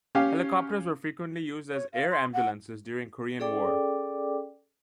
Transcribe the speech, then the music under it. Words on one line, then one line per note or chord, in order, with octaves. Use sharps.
Helicopters were frequently used as "air ambulances" during Korean War.
C#4 G4 F5
C#5
F5
C6
F#5
C#4 G#4 A4 D5 G5 D6